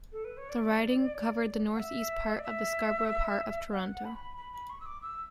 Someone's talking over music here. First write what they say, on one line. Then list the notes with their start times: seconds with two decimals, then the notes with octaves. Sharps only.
The riding covered the northeast part of the Scarborough part of Toronto.
0.12 A4
0.25 B4
0.37 C#5
0.49 D5
1.74 F#5
1.79 E5
2.37 D5
2.43 E5
3.72 F#5
4.05 B5
4.37 B5
4.53 B5
4.70 C#6
4.81 E6
4.86 D6
5.02 E6